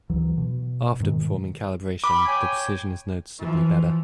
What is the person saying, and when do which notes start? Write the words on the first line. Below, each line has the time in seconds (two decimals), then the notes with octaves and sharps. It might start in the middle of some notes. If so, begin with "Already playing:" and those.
After performing calibration, the precision is noticeably better.
0.09 D2 E3 F#3
0.37 B2
1.00 G#2 B2 D#3 G#3
2.04 B5 D6
2.26 C#5 G5 G#5
3.39 E3 F3